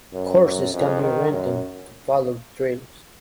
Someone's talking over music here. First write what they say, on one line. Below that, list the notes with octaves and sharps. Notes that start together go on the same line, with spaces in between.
Horses can be rented to follow the trails.
F#2
F#2
F2
D#3
F#2